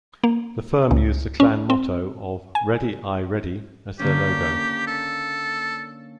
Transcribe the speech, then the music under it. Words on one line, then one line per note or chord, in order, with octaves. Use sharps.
The firm used the clan motto of "Ready Aye Ready" as their logo.
A#3
C#2
C#4
C4
G#5
D3 A#3 C#4 G4
A4